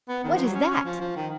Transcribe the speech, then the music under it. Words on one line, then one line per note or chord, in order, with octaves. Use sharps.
"What is that?"
B3
D#3
F3
F#3
C#4
C#4
F3
F3
D#3